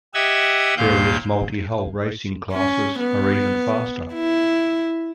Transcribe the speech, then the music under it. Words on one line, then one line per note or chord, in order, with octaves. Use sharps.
Various multi-hull racing classes are even faster.
G4 D#5 E5 F#5 E6 G#6
D#2 A#2 F5 G6
C#4
B3
E4